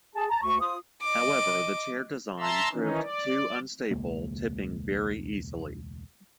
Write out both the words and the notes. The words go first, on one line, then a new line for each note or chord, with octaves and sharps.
However, the chair design proved too unstable, tipping very easily.
G#4 A5
A5 A#5
D2 C#6
F4 C5 D#6
D#5 D6
E5 A5 A#5 C6 E6
D#3 E3 C#4 D#4
D5
E1 C#2 G#3 A#3